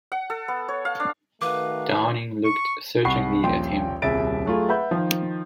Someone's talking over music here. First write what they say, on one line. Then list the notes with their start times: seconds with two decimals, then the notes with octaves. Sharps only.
Downing looked searchingly at him.
0.12 F#5
0.30 A4
0.48 B3
0.68 C#5
0.85 F5
1.00 D4
1.42 D#3 A3 F#4 A#4 B4 F5 A#5 D6
2.45 C#6
3.05 C2 F#5 B5 C#6 C7
3.44 D#1 A#1 G5 C6
4.02 D#1 C2 G#4 E5 A6 D7
4.46 F#3 A3 F4 G#4
4.69 B4 E5 F#5 B5 G6
4.91 D#3 F3